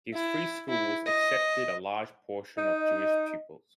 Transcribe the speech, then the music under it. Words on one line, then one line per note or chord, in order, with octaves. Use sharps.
His Free Schools accepted a large portion of Jewish pupils.
E4
E4
D#5
D#4 D#5